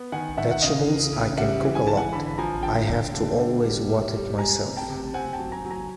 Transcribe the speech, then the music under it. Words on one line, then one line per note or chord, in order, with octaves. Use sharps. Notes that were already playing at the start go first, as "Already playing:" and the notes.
Vegetables I can cook a lot, I have to always wat it myself.
Already playing: B3
D#3 F#5 G#5
D#3 E5 F#5
F#5
C#3 D#5 F5
E3
C#3
G3 E5 F#5
E3
G#5
E3 A5
F#5 G#5
D3 A5 B5
F3 G#5 A#5
D3 G5 A5
D3
D3
D3
G3
G3
G3
G3 G#5 A#5
C3
G5 A5
C3
C4 F#5 G#5
G5 A5
F#3
G#5 A#5
F#3
G#5 A#5